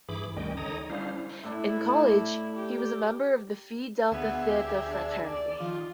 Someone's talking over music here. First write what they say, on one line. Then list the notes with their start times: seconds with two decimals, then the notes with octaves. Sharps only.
In college, he was a member of the Phi Delta Theta fraternity.
0.09 G2 E3 G#4 B5 D6
0.37 D2 D#3 G3 C#4 D#5 G5
0.57 D3 D#4 C#5 D#5 A#5 D#6
0.90 G3 C#4 D4 E4 C5 F5
1.44 A2 D4 E4
2.56 G4
4.12 D2 B3 G#4 E5
4.48 G4
4.88 D4
5.26 D5
5.60 D#3 F3 F4